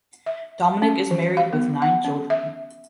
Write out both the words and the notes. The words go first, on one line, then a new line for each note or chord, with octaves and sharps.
Dominic is married with nine children.
E5
C#4
E3
F5
B3
F#5
C#4
E5